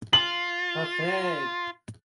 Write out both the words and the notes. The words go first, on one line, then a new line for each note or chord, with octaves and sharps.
The Fig.
F4 F#7